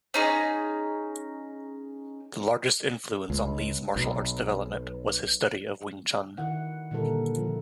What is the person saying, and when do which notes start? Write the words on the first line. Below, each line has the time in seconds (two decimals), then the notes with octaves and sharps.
The largest influence on Lee's martial arts development was his study of Wing Chun.
0.14 C#4 D#4 G#4
3.30 C#2
3.96 B1
6.38 D#3 E4 F#5
6.91 A#2 D3 G3 E4 A4 A#4
7.36 F3